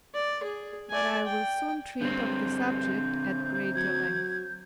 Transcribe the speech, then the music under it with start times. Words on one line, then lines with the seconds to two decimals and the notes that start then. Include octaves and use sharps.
But I will soon treat of the subject at greater length.
0.14 D5
0.43 G#4
0.90 D5 G#5
1.26 G5
2.01 G2 D3 C4 G6
3.76 F#3 G#6